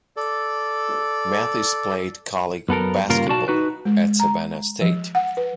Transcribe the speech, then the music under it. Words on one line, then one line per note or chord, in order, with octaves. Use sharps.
Mathis played college basketball at Savannah State.
A4 D5
F#2 B3 A4 A#4
G2 C#3 A#3 F4 A#4
B1 F#4 D5 A5
D#4 F#4 B4
G#3
A#5
F3
F#5
B4